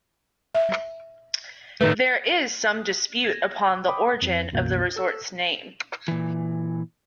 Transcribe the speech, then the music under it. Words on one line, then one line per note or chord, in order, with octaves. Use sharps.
There is some dispute upon the origin of the resort's name.
E5
A2 D#3 A3 B4
G#6 A#6
G5 B5 D6 D#6
F2 F3
C2 F#2 B2 E3 A#3 G6
A4 E6
A#2 E3